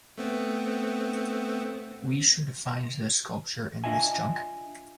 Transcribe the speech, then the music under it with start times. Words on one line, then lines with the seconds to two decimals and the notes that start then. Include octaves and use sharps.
We should find the sculpture in this junk?
0.18 A3 B3 C4
3.84 D4 F4 D#5 E5 G#5